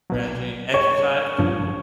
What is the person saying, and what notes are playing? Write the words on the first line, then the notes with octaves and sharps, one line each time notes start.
Stretching, exercise too, if
B1 B2 F#3
C#5
A1 G2 D3 F3